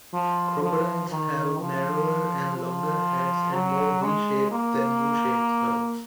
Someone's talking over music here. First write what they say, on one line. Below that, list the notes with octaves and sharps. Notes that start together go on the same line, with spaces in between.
Crocodiles have narrower and longer heads, and more V-shaped than U-shaped snouts.
F3
F3
D#3
F3
F3
F#3
G#3
A#3